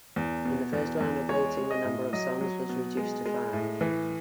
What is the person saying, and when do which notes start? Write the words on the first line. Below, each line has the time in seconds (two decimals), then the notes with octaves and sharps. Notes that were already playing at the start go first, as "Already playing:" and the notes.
In the first round of voting, the number of songs was reduced to five.
0.16 E2
0.45 B2
0.73 E2
1.01 E2
1.29 G#3 C#5
1.57 G#3
1.71 D#5
1.85 A2
2.13 F#3 D#5
2.41 F#3
2.69 B2
2.97 G#3
3.26 G#3
3.53 A2
3.81 E3